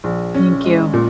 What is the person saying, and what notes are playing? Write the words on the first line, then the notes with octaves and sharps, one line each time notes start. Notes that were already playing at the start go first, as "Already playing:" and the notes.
Thank you.
A#1
C#4
G#3
A#2